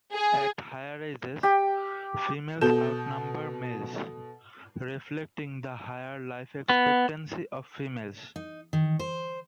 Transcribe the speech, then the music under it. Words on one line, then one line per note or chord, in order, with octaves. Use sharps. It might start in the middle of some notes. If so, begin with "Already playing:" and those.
At higher ages, females outnumber males, reflecting the higher life expectancy of females.
G#4
G4
B2 A4 G6 E7
B3
D#4
D#3
C5